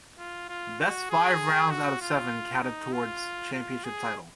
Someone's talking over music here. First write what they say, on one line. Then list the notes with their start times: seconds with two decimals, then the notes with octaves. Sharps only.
Best five rounds out of seven counted towards championship title.
0.19 F4
0.49 F4
0.80 F#4
1.10 G#4
1.71 F#4
2.01 F4
2.62 D#4
2.93 F4
3.53 F4
3.84 G#4